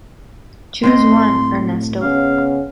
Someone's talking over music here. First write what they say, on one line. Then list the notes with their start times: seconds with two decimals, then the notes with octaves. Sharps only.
Choose one, Ernesto.
0.84 A2 C4 D#5 C6
2.01 C#3 B3 C#4 F5